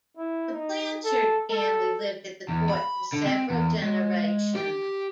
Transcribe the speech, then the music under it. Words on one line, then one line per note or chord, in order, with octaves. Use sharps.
The Blanchard family lived at the court for several generations.
E4
D#4
A4
A4
E2
B5
D3
C4
E2
G#3
G4